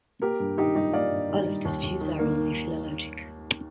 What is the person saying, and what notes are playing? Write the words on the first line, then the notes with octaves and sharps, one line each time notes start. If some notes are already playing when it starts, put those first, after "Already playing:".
All of these views are only philologic.
A#3 G4 A#4
G2
D#3 D#4 G4
G3 D#4 G4
A#3 D5 F5
G2
D#3
G3
D#2
D#2
D#3
A#3